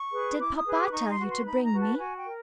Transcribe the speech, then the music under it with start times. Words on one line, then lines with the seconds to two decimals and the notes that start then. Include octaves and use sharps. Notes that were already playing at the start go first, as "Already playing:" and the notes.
"Did papa tell you to bring me?"
Already playing: C#6
0.12 G#4 B4
0.39 E4 D6
0.56 D#6
0.66 G#4 B4
0.74 D6
0.92 D#4 C#6
1.10 C6
1.19 F#4 B4
1.28 C6
1.45 D#4 B5
1.64 A#5
1.73 F#4 B4
1.81 A5
1.99 F#4 G#5
2.16 G5
2.25 A#4